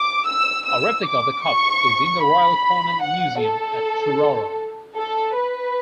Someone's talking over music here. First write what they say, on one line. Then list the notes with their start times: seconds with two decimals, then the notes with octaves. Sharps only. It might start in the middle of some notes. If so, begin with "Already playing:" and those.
A replica of the cup is in the Royal Cornwall Museum at Truro.
Already playing: D6
0.27 E6
0.67 E6
1.06 D6
1.44 C#6
2.22 B5
3.01 F#5
3.40 A4
4.96 A4
5.35 B4